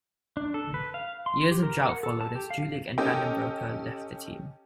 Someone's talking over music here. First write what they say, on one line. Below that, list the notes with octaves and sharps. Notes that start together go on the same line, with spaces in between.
Years of drought followed as Julich and Vandenbroucke left the team.
D4
A4
B4
F5
C6
G4
A#4
F#5
A4
A5
G4
F5
C#4 G4 A4 D#5 G5